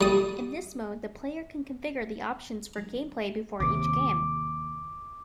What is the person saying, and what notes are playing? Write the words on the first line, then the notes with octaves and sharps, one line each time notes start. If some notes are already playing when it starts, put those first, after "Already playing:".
In this mode, the player can configure the options for gameplay before each game.
G3 D#6
D#2 C3 D6